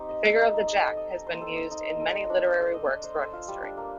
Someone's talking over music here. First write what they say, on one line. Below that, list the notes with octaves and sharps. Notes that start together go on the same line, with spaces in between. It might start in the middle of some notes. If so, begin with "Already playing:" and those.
The figure of the jack has been used in many literary works throughout history.
Already playing: C4 D#4 G4
D#5
A4
D#4
D#4
D#5
A4
D#5
D#4
C5
A4
D#5
D#4
C5
A4
D#5
D4
C5
A4
D#5
D4
C5
A4
F4
G3
D4
A#3